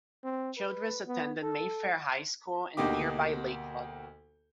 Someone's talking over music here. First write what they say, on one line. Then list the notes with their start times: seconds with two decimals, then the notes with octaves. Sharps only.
Childress attended Mayfair High School in nearby Lakewood.
0.24 C4
0.58 B4
1.07 B3
1.43 A4
2.77 D2 B2 A#3 D#4 G4 D6